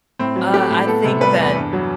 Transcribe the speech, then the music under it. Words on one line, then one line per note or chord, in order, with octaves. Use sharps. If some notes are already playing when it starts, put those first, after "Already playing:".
Uh, I think that
A2 C4
F#3
A3 G4
A2
B3 A4
C3
G3 B4
E2
G2
F#3